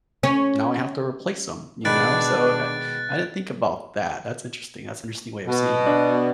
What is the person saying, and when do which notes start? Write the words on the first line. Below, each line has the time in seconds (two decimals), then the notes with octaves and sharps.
now I have to replace 'em, you know, so, I I didn't think about that, that's interesting, that's an interesting way of seeing it.
0.23 C#4
1.85 B2 D#3 G#3 D4 B5 F#6 A6 D7
5.47 B2
5.86 D4